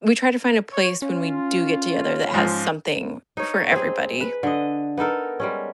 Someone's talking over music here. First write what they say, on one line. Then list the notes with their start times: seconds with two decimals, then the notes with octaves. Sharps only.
We try to find a place when we do get together that has something for everybody.
0.71 C#5
1.02 C#4 F4
2.34 G#2 F3
3.37 D#4 C#5
3.72 C4 G#4
4.20 B4
4.43 D3 D#5
4.97 B3 D#4 A4 A#4
5.40 G3 G#3 C#4